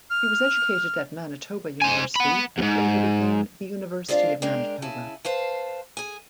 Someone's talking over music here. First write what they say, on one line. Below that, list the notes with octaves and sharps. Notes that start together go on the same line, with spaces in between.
He was educated at Manitoba University, which later became the University of Manitoba.
F6
C5 G#5
F#5 B5
E2 G#2
G#3 C4 D4 F4 D5 F5
G#3 D4 A#4 G5
C#3 E4 G#5 A5
B4 C5 F5 A5
G#4 G#5